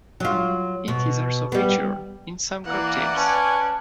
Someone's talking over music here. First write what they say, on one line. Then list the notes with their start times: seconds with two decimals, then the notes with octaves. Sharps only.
It is also featured in some cocktails.
0.20 F#3 F4
0.88 B2
1.52 G3 B3
2.65 E3 A#3 D5 F#5
3.15 C#4 B4 G#5 A5